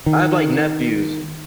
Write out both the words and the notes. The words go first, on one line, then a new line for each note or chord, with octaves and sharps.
I have, like, nephews.
D#3